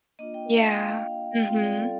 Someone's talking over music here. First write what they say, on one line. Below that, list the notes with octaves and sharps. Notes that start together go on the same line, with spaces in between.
Yeah. Mhm.
A#3 D4 F4 D#5
G5
F5
G5
F5
G5
G3 C4 F4 F5
D5
A4